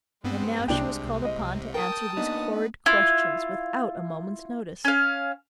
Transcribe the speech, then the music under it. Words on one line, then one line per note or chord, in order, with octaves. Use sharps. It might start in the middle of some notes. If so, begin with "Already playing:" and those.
And now she was called upon to answer these horrid questions without a moment's notice!
G2 G#3 B3 C4
C2 C3 D4 G5
D#5
A#4 G5 A5 D#6
A#2 B3 D4 D#4
E4 F4
C#4 F5